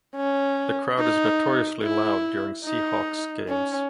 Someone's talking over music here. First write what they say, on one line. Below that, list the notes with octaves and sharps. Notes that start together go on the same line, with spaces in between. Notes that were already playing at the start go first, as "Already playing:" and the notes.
The crowd is notoriously loud during Seahawks games.
C#4
D#4
E4
D#4
C#4